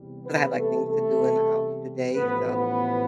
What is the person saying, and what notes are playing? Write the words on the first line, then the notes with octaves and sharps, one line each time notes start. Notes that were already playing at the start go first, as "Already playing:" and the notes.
cause I have, like, things to do in the house today, so
Already playing: E2 C3 G3
B3 B4
A3 A4
A3 A4
A1 A2 F3 B3 B4
B3 B4